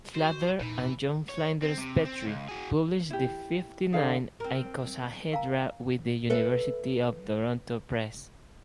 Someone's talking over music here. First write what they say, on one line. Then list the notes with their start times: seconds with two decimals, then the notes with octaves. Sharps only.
Flather, and John Flinders Petrie published The Fifty-Nine Icosahedra with University of Toronto Press.
0.14 F#4 C5
0.59 F2 A#2 E3 D#4
1.29 C#5
1.62 C4
1.78 C3
2.05 C4
2.25 C#2
2.49 F#4 G#4
3.10 E4 G4
3.93 D3 G#4 F5
4.40 C4 A#4
5.32 A#4 F5 G#5 A#5
6.30 A4 B4 E5